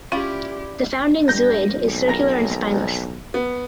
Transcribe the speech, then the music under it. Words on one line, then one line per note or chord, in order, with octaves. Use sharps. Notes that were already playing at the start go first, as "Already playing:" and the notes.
The founding zooid is circular and spineless.
C#4 E4 F4 G4 D5
G2 G6 A#6
B1
A#4 A#5 A#6
B3